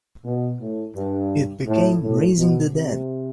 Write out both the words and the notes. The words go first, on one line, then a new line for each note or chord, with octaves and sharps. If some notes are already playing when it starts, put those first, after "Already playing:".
It became "Raising the Dead".
B2
A2
G2
A2
A2
B2
C3